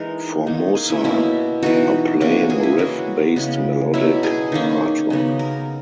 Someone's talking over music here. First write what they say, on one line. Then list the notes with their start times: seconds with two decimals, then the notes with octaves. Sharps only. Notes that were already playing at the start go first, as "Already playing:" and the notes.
Formosa are playing riff based melodic hard rock.
Already playing: E3 G#3 D#4 A#4
0.46 D#3 A#3 D#4
0.75 G#4
0.90 E4
1.04 B2 A#3 C#4 E4
1.63 E3 B3 D#4 F#4
2.21 E3 A#3 C#4 F#4
2.50 G#4
2.63 E4
2.78 E3 G#3 C#4 F#4
3.36 C#3 G#3 B3
3.94 B2 F#3 C#4 E4
4.23 G#4
4.52 D#3 A#3 C#4
5.10 C#3 F#3 B3 D#4
5.39 A#4